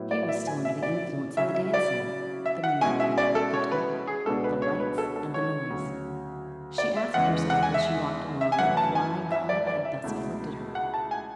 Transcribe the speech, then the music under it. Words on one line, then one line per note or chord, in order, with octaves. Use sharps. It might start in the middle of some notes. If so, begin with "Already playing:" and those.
She was still under the influence of the dancing, the music, the talk, the lights, and the noise; she asked herself as she walked along why God had thus afflicted her.
Already playing: A2 F#3 B3 E4
D5
D5
E5
G#5
E5
D5
C#3 F#3 C#4 E4 E5
E5
D5
E5
F#5
B2 G#3 C#4 E4 G#5
E5
D5
A4
C#5
B4
G#4
C#2 B2 G#3 B3 D4 A4
B4
C#5
B4
A4
A4
C#5
D2 C#3 F#3
D5
E5
E2 C#3 E3 G#3 F#5
F#5
G#5
E5
E5
G#5
F#2 E3 A3 E4 F#5
A5
G#5
E5
D5
D5
E5
C#2 B2 A3 E4
F#5
A5
G#5